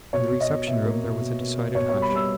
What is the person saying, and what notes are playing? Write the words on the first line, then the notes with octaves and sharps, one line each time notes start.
In the reception room there was a decided hush.
B2 C#5
B2
D#5
B2
B2 E5
A#3
B2
B2
B2
A#3
B2 C#5
G3 C#5
B5
G3
E6